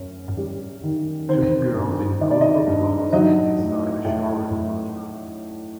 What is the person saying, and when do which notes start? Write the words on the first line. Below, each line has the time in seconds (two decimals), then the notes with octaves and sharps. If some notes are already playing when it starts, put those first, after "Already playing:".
Two girls in colourful clothes inside a shower enclosure.
Already playing: F#2 C#4
0.37 G3
0.83 D#3
1.29 D#3 C4 C5
1.74 G2
2.20 D#3 D#5
2.31 D5
2.41 D#4 D#5
2.67 G2
3.12 F#3 D#4 D#5
3.58 A2
4.05 A2
4.51 A2